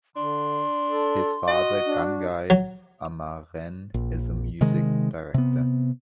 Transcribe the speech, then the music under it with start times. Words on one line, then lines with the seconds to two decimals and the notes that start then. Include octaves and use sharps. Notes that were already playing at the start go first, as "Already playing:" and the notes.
His father Gangai Amaren is a music director.
0.16 D3 D4 C6
0.88 A4
1.48 F#4 D#5
1.86 D4
2.50 F#3
3.94 A#1
4.61 C3 D#3 G#3
5.34 C3 B3